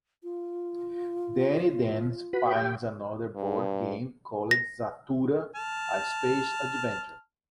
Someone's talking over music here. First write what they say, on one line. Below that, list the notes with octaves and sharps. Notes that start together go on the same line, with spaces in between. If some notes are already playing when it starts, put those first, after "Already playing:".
Danny then finds another board game called "Zathura: A Space Adventure".
F4
F#4 B4 B5
G4 G5
G2
A#6
A5 F6